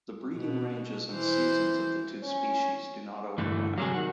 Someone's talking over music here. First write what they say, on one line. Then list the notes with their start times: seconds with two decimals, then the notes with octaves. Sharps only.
The breeding ranges and seasons of the two species do not overlap.
0.35 B2
1.12 E3 C5
2.23 C#4
3.38 G2 D3 E3 A3
3.78 C3 F#3 G3 A3 G#4
3.94 D#3 F#4